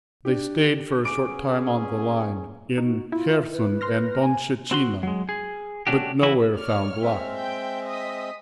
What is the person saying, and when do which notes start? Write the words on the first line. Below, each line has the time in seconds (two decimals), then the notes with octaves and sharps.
They stayed for a short time on the line, in Kherson and Donshchina, but nowhere found luck.
0.25 D4 G4
1.05 B3 C#4 G#4 D6 D7
2.78 D#4 F#4
3.12 E4 F4
3.52 B4
3.81 C6 F6 A#6
4.20 G#5
4.71 C4 F#4 C6
5.03 F#3 G#3
5.29 G#4
5.87 A3 A#3 C#4 D4 F#4 G4
6.23 E3 C#4 E4 F#4 B4
6.57 C#5 D5 F6
7.02 G#3 C4 E5
7.33 G5 G6
7.85 D#5 D#6 B6